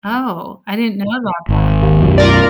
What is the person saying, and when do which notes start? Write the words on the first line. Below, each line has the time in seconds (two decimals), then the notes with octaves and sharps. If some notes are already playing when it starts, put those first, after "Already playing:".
Oh, I didn't know about that.
1.49 G#1
1.82 D#2
2.02 B1 F#2
2.18 F4 A#4 D5